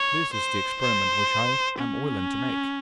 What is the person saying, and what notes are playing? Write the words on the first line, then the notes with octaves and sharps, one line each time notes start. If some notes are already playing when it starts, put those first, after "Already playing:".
This is the experiment which I am willing to make.
Already playing: C#5
C5
C5
C#4